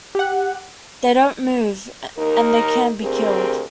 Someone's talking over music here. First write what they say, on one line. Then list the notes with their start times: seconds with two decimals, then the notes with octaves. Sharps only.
They don't move, and they can be killed.
0.15 G4 F#5
2.18 D#2 D#4 A#4
3.01 D2 C4 G4 G#4 A#4